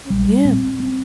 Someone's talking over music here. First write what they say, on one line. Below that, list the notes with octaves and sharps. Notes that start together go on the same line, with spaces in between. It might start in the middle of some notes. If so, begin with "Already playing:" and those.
M yeah.
A#1 G3
A#2 C4
C4